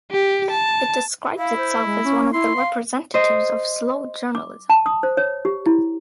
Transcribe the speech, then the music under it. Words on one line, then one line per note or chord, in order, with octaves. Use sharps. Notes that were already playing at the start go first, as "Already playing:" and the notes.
It describes itself as one of the representatives of slow journalism.
G4
A5
E4 F5
C5
G#3
C#4
E4 C6
F5
C5 D#5
D6
A5
D#6
C5
C#5
G4
E4